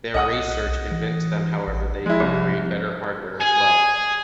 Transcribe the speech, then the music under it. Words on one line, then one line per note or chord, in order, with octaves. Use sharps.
Their research convinced them, however, they could create better hardware as well.
B1 D#5 F#5 D#6
E3
A1
F3 G#3 E4
C2
G#4 G#5